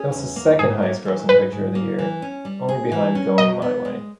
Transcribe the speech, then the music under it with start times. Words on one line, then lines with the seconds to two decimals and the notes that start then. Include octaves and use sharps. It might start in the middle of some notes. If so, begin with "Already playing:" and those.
It was the second-highest grossing picture of the year, only behind "Going My Way".
Already playing: C#4 G#4
0.12 E2
0.36 A#3
0.59 G#2 G#4
0.82 A#3
1.05 E3
1.29 G#2 B4
1.52 G#2
1.75 A#3
1.99 E3
2.22 C#4
2.45 G3
2.69 G#4
2.92 E3
3.15 C#4
3.38 B2 D#5
3.62 B3
3.85 G#3